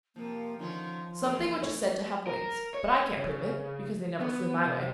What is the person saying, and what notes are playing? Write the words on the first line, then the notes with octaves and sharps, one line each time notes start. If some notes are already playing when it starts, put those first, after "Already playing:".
Something which is said to have wings, but I can't prove it, because they never flew my way.
C3 F3 A#3
D3 D#3 F3 C#4
C#3 E3 A#3
A3 C#5
A#4
C#5
C#3
B3
C3